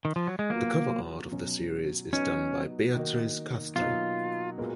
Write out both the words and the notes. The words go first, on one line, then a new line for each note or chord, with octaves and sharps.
The cover art of the series is done by Beatriz Castro.
D#3
F3
F#3
G#3
F#3 A#3 B3 F4
B2 F#3 C#4
F#3 B3 C#4 D#4
D#3 A#3 D#4 F#4
B2 F#3 A#3 D#4 F4
A#2 G#3 B3 F#4 A#4